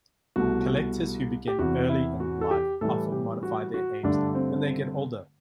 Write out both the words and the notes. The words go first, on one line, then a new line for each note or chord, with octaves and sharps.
Collectors who begin early in life often modify their aims when they get older.
C2 B2 A3 F#4
G4
E2 C3 E3 F#4
E4
F#4
A4
G4
A2 E3 G3 A4
G4
F#4
F#4
G2 D3 A3 D4
C4